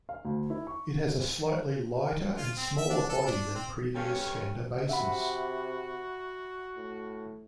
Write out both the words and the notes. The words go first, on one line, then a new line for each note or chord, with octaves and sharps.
It has a slightly lighter and smaller body than previous Fender basses.
F5
D2
E4
C#6
F4
C4
E5
D4
A4
D4
C4
G2 C#4 G4 A4 F5
C3 F#4 E5 F#5 B5
A2